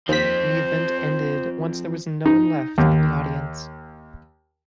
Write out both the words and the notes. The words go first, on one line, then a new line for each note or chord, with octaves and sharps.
The event ended once there was no one left in the audience.
D#2 F3 C4 C5 B6
D#4
D#2